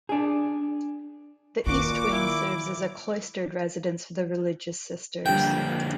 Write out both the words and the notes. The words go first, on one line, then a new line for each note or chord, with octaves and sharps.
The east wing serves as a cloistered residence for the religious sisters.
D4 G#4
A#2 D#3 F#4 D6
E4
F2 D3 G3 G5